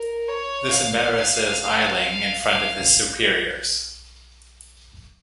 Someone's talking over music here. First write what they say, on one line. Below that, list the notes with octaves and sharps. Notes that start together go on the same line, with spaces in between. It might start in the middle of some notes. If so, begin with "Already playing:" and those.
This embarrasses Eiling in front of his superiors.
Already playing: A#4
C#5
F5
F5
F5